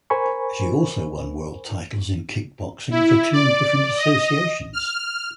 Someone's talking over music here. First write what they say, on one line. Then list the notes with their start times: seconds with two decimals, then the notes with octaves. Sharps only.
She also won world titles in kick boxing for two different associations.
0.10 A#4 C5 G#5 B5 C#6
2.91 E4
3.33 D5
3.97 D#5
4.73 F6